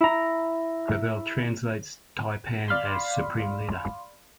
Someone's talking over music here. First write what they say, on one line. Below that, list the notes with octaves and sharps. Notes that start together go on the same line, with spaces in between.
Clavell translates Tai-Pan as "Supreme Leader".
E4 A#5
D5 F5 B5 C6